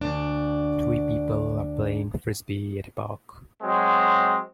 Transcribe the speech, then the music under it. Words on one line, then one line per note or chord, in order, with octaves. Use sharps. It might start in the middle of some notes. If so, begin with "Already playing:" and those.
Three people are playing frisbee at a park.
D2 D4
F#3 G#3 C4